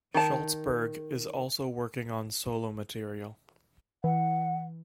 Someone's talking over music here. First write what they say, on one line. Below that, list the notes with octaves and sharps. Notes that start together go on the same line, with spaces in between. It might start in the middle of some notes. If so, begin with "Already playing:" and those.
Schultzberg is also working on solo material.
D#3 A5
E3 F#5